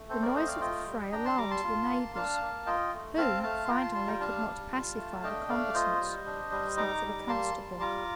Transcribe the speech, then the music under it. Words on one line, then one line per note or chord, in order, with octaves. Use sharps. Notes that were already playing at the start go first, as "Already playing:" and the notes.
The noise of the fray alarmed the neighbors, who, finding they could not pacify the combatants, sent for the constable.
Already playing: A3
C4 A4 C5
A#4 D5
A3 C5 D#5
D5 F5
F4 D#5 G5
G3
D4 G5 A#5
A5 C6
G3 A#5 D6
A5 C6
F4
A#3
D4 F5 A5
A#3
F4 D#5 G5
A3
C4 F5 A5
A3 F5 A5
C6
F4 G5 A#5
A5 C6
G3 A5 C6
G5 A#5
D4 F5 A5
G3
F4
A3
D4 D#5 G5
A3 D5 F5
F4 C5 D#5
G3
D4
G3
D#4 A#5 D6
G3
A#3 A5 C6
G3
F4 A#5 D6